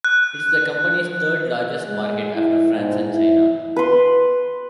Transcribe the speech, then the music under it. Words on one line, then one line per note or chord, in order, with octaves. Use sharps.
It's the company's third largest market, after France and China.
F#6
G#3
E4
G#2
E4
B4 C6